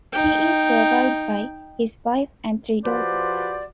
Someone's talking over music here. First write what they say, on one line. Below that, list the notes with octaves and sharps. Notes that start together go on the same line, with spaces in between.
He is survived by his wife and three daughters.
D#4 G5
F3 F#4 G4 B4 C5 D5